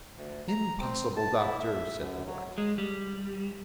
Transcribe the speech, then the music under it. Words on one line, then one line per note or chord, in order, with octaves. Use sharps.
"Impossible, doctor," said the wife.
D2
A#5
C4
A5
E4
E5
F#2
F#3
G#3
G3